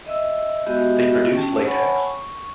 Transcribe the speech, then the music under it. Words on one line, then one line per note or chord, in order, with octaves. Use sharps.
They produce latex.
D#5 E5 E6
G#3 B3 F#4 G4 D#5 E5
C#4 G5 A5
C#5 F#5 G#5 A5 B5 C#6
C#6